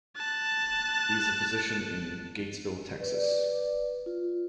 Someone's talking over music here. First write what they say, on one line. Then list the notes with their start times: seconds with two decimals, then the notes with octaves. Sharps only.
He is a physician in Gatesville, Texas.
0.16 A5 F#6
3.01 B4 D5
4.06 F4